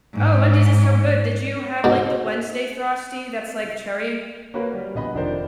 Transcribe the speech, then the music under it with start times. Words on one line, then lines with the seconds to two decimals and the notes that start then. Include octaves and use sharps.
Oh, Wendy's is so good, did you have, like, the Wednesday Frosty that's like cherry?
0.14 G#2
1.84 G#2 B2
4.54 A#3 C#4 F#4 A#4 B4
4.74 G3
4.95 A#1 B3 D#5 B5
5.14 F1 D#3 F3 D4 A#4 C5